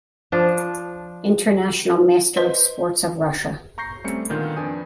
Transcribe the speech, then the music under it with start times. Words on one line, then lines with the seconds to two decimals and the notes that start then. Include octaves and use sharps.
International Master of Sports of Russia.
0.32 F3 D4
2.37 B4 C5 D#5 C6
3.78 A#5 C#6 G6 A#6 C7
4.04 G3 A3 C4 C#4 C#7
4.30 A#2 D3 D#3 B3 F4 G6
4.56 F2 D4 B4 G#5 D#6 G6